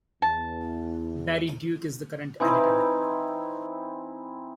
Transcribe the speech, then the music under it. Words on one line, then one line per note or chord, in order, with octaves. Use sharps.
Barry Duke is the current editor.
E2 A5
E3 C4 D#4 E4